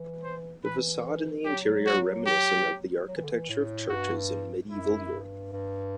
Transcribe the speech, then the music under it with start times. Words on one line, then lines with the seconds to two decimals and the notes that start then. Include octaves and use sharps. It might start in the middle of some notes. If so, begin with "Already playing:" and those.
The facade and interior are reminiscent of the architecture of churches in Medieval Europe.
Already playing: E3
0.23 C5
0.63 E3 B4
1.45 F#3 G4
1.86 F#4
2.26 G4
3.08 F#3
3.17 E3
3.24 D3
3.32 E3
3.49 A2
3.89 G2 F#4
4.70 F#2 E4
5.12 G2
5.53 G2